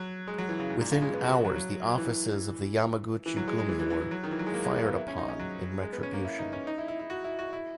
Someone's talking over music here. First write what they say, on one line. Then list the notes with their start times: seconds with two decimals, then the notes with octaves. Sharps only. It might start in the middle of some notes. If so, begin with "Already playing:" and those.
Within hours the offices of the Yamaguchi-gumi were fired upon in retribution.
Already playing: F#3
0.28 G#3
0.38 F#3
0.49 E3
0.59 C#3
0.70 G#2
0.81 A#2
0.92 C#3
1.02 G#3
1.13 B3
1.23 F#4
1.45 F#3
1.55 F#3
1.98 E3
3.26 E3
3.37 F#3
3.48 G#3
3.58 G#3
3.69 E3
3.79 E3
3.90 E3
4.01 E3
4.11 F#3
4.23 D#3
4.31 E3
4.39 F#3
4.46 G#3
4.54 A#3
4.65 G#3
4.75 A#3
4.86 B3
4.97 E4
5.08 C#4
5.18 D#4
5.29 C#4
5.39 F#3
5.82 G#3
5.93 B3
6.03 C#4
6.13 A#3
6.25 E4
6.39 D#4
6.53 C#4
6.67 D#4
6.78 E4
6.88 E4
6.99 E4
7.10 F#4
7.24 E4
7.39 F#4
7.53 E4